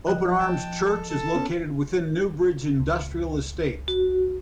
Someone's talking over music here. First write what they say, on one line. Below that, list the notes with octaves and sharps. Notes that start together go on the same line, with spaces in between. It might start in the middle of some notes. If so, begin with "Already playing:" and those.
Open Arms Church is located within Newbridge Industrial Estate.
F3 D#5 F#6
G5 A5
A4
A4 A5
B3 C#4
C#2
F#4